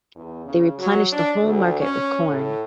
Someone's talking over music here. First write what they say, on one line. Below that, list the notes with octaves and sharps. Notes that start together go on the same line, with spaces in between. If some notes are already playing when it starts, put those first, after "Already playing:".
They replenished the whole market with corn.
E2
C#3
F#3
D4
D2
C#4
A2